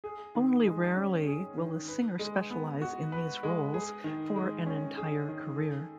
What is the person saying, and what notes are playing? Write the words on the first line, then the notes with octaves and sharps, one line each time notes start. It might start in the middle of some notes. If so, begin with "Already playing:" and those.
Only rarely will a singer specialize in these roles for an entire career.
G#4
D#3
G#3
C#4
G#4
D#3
B4
G#3
B3
F#4
B4
G#3
G#4
D#3
G#3
C#4
G#4
D#3
A4